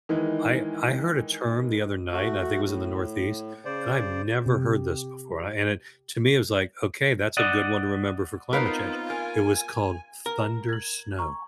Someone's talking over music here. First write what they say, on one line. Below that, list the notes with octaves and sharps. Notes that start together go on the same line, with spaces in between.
I I heard a term the other night, and I think it was in the Northeast, and I've never heard this before, and it to me, it was like, "Okay, that's a good one to remember for climate change," it was called "thundersnow."
D#3 E3 G#3
A3 F#4
A2
C#3 C5 D5
C3 G4
D5 D#5 F#5
B3 C4 D#4 F4 A#4 B4 F5
A#4 G#5
A#4
G#6 F#7
A#5 C#6